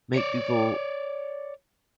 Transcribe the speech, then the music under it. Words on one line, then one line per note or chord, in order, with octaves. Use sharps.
make people
C#5 D5